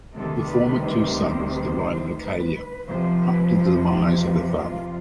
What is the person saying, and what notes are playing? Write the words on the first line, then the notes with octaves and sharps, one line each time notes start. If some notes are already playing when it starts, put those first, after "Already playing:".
The former two sons divided Arcadia after the demise of their father.
D2 C3 D#3 G3 A4
B4
C5
C5
B4
F2 C3 F3 C5
B4
C5
B4
F4